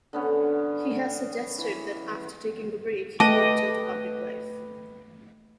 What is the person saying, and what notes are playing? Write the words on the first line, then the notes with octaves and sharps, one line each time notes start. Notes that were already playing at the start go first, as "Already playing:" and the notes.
He has suggested that after taking a break, he may return to public life.
D3 B3 C#4
E3
A3 B4 D#5 G5 A5 D6